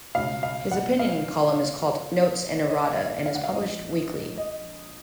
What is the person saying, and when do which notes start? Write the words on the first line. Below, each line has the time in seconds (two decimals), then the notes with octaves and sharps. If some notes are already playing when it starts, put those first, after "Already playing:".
His opinion column is called "Notes and Errata" and is published weekly.
0.15 C#2 B2 F5
0.43 F5
0.71 F#5
0.99 F5
2.65 C#5
2.69 D#5
2.97 F5
3.26 F5
3.35 F#5
3.44 F5
3.53 A#1 G#2 F3 D#5
4.37 D#5